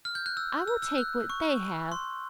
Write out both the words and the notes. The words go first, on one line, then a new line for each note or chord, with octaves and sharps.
"I will take what they have."
F6
G6
F#6
E6
E6
E6
F#6
C#6
C6